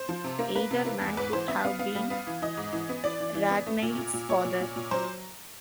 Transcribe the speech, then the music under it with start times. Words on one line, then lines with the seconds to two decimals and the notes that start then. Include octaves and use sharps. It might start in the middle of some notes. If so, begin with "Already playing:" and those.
Either man could have been Ragnailt's father.
Already playing: C5
0.09 F3
0.24 C3
0.39 A#3
0.55 A#3 B4
0.71 C3
0.86 A#3
1.01 E2
1.17 G#2 B4
1.33 E3 C5
1.48 B3 E5
1.64 B3 F5
1.79 B3 F5
1.95 G3
2.10 B3 F5
2.27 E3
2.42 E3 D#5
2.57 G#2
2.73 E3
2.89 B3
3.04 E3 D5
3.20 E3
3.35 E3
3.50 B3
3.67 A3
3.82 A#2
3.97 A#2
4.14 A#2
4.29 A#2 C#5
4.45 A#2
4.60 A#2
4.76 A#2
4.91 F#3 C5